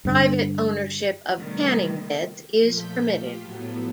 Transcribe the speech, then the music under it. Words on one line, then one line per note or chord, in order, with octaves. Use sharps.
Private ownership of tanning beds is permitted.
G2 D3
C3 D#3 G3 A3 B3 C4
A#2 F3 A3 G6 B6
F4 G4
A2 F3 F#3 A3 B3